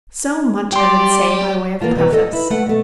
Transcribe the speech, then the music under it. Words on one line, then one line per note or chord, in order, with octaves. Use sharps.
So much I would say by way of preface.
G3 G4 D5 G5 C6
E3 A#3 B3 F4 A5
B2 E3 C4 B4 A#5
A2 A4 D#5
E4 B4
A3 B4 F#5
B2 A3